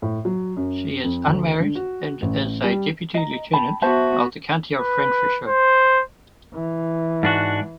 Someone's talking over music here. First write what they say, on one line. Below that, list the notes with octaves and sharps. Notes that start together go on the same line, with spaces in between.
She is unmarried and is a Deputy Lieutenant of the County of Renfrewshire.
A2
F#3
F#2
F2
D2
D3
F#4
A1
G3
D#5 A#5
G5 A5 B5
B3 F#4 C5 E5 A5
B4
C5
E3
G#2 D4 F#4